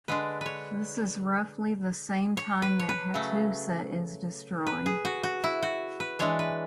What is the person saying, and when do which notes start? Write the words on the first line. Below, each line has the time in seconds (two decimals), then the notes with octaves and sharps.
This is roughly the same time that Hattusa is destroyed.
0.08 D3 G#3 D4 B4
0.41 B4 C#5
2.37 C#5
2.62 B4
2.79 C#5
2.89 B4
3.14 C#3 F#3 A3
4.67 B4
4.86 G#4
5.05 F#4
5.23 F#4
5.44 E4
5.63 F#4
6.00 B4
6.19 E3 G#3 D4 C#5
6.39 B4